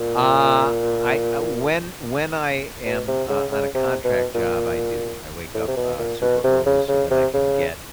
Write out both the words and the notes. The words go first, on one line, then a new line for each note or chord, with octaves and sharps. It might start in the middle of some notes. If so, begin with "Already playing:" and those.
Uh, I uh when when I am, uh, on a contract job, I do. I wake up, uh, super early so that I can get
Already playing: A#2
B2
C3
C#3
C#3
C3
B2
A#2
A2
C3
B2
A#2
B2
C3
C#3
C#3
C3
C#3